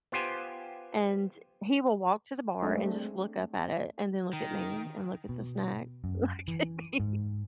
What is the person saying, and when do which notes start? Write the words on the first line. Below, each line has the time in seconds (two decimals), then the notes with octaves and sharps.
and he will walk to the bar and just look up at it and then look at me and look at the snacks, look at me.
0.12 B3 F4 G4 C5 G#5
2.63 G#3 A3 C4 D4
4.33 D#3
5.29 B2
6.04 F#2
6.48 E3
7.00 G#2